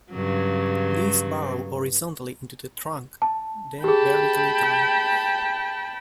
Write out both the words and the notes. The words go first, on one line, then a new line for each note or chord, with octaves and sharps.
These burrow horizontally into the trunk then vertically down.
G2 C#3 F#3
A5
G4 G#4 G5 A5 B5